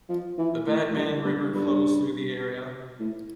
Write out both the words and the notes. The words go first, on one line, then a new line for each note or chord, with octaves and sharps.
The Batman River flows though the area.
F3
E3
A2
A2
G2
G2
G2
A2